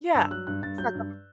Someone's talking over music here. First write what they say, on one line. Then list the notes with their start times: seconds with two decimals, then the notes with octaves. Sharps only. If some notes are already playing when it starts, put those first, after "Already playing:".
Yeah, it's the government,
0.15 G2 E6
0.31 F#3 F#6
0.47 G2 F#6
0.62 G2 A6
0.78 F#3 G6
0.95 G2